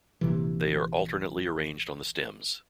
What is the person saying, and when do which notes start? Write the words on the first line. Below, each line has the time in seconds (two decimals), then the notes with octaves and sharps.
They are alternately arranged on the stems.
0.21 A#1 C3 E3